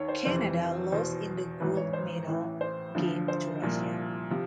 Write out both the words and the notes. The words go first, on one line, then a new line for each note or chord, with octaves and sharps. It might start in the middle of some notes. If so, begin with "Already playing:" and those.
Canada lost in the gold medal game to Russia.
Already playing: D#2 D#3 C#5
C5
F1 F2 C3 E3 C5
E2 B2 C5
A1 G#2 E3 B4
C#5
C5
A1 A2 E3
C5
D2 D3 F3
C5
C2 A#2 F3
C3 F3